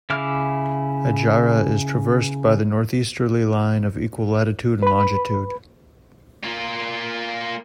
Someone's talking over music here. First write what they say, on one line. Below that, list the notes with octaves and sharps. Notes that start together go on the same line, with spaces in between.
Adjara is traversed by the northeasterly line of equal latitude and longitude.
C#3 E4 E5 D6 F6
B4 B5
A#3 F4